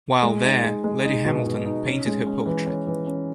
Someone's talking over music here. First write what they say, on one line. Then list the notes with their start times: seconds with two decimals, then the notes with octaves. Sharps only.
While there, Lady Hamilton painted her portrait.
0.23 G#3
0.44 D#4
0.64 G#3
0.84 G#3
1.05 D#4
1.25 B2
1.46 B2
1.65 D#4
1.86 C#4
2.06 G#3
2.27 C#4
2.46 E3
2.67 C#4
2.87 E3
3.07 C#4